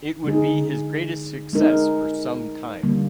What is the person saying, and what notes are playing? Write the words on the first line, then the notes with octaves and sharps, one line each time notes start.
It would be his greatest success for some time.
D3 G#3 D#4 G#4
G#3 D#4 A#4
D3 G3 A#3